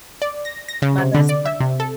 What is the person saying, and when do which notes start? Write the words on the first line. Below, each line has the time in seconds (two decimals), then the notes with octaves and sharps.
My best friend
0.22 D5
0.45 A#6
0.68 A#6
0.82 C#3
0.98 C3
1.15 D3
1.29 D5
1.46 E5
1.60 C3
1.80 A4